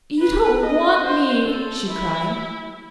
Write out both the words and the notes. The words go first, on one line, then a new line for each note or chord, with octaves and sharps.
"You don't want me!" she cried.
B4
D#5
C5
A4
E4